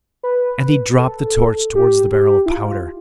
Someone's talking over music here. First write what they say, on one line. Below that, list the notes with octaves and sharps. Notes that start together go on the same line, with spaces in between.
And he dropped the torch towards the barrel of powder.
B4
A4
G4
G4
E4
F4